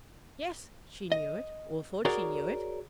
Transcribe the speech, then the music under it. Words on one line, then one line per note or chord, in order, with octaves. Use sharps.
Yes, she knew it, or thought she knew it.
D#5
F#4 G#4 A#4 C#5 D5